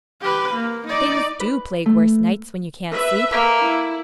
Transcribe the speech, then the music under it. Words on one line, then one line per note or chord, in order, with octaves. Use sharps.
Things DO plague worse nights, when you can't sleep.
G4 B4
A#3
D#4 D5
B4
A3
B4 E5
A#3 A4
E4